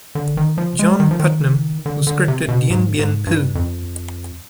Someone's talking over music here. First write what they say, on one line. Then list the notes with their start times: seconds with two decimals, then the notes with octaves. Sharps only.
John Putnam, who scripted Dien Bien Phu!
0.15 D3
0.37 D#3
0.58 F3
0.79 G#3
1.00 D#3
1.11 F3
1.20 D#3
1.86 D3
2.07 D3
2.28 C3
2.48 B2
2.70 G#2
2.99 G#2
3.27 G2
3.55 F2